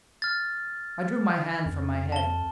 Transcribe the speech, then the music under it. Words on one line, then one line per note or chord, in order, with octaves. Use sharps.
I drew my hand from my head.
F6 A6
F2
A5 G7